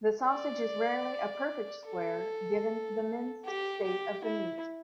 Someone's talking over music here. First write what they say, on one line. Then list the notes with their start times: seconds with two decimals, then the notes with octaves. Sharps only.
The sausage is rarely a perfect square given the minced state of the meat.
0.28 D5
1.86 A4
3.45 G4
3.84 G4
4.24 E4